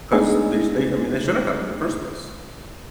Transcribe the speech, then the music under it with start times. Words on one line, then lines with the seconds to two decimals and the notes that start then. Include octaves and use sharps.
'cause they sh they I mean, they shouldn't happen in the first place.
0.12 G#3 A3 B3 D4 D#4 G#4